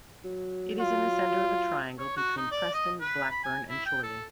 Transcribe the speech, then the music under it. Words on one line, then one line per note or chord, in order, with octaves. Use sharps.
It is in the centre of a triangle between Preston, Blackburn, and Chorley.
F#3
F4
C#5
F#4
D#4
D5
D#5
B4
B5
G#5
E4
G5
A4